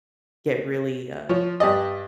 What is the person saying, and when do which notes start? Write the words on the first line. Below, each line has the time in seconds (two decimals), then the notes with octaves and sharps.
get really, uh,
1.29 F3 C#5
1.60 G2 G4 D5 D#5